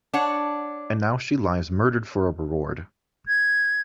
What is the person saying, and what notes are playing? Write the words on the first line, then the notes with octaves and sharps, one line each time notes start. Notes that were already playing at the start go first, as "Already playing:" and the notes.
And now she lies murdered for a reward!
D4 C#5 F#5
G#6